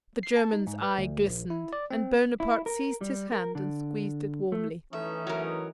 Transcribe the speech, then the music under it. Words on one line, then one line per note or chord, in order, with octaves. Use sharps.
The German's eyes glistened, and Bonaparte seized his hand and squeezed it warmly.
C7
A5
D#4
G#2
B4
D2
A#1
E4
D5
C4
E4
A#4
G3
A#4
D3
A3
E3 A3 C#4 D#4 E5
F#3 A#4